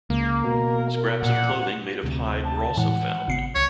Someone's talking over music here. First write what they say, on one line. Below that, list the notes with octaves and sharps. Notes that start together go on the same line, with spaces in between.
Scraps of clothing made of hide were also found.
C#2 A#3
B2 A#4
A#2 F#5
D2 C3
A5
A2 E3 G#3 F#5
G#1 C#3 B3 C7 C#7
C2 C#5